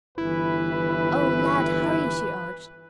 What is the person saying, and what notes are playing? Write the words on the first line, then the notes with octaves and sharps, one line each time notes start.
"Oh, Lad, hurry!" she urged.
G1 E3 E4 B4